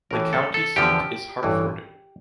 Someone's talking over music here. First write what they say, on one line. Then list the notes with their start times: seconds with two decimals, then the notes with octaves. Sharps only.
The county seat is Hartford.
0.11 A1 A2 E3 A#4
0.33 A4
0.54 A4
0.76 E2 D3 F3 G4
1.43 A1 G2 E3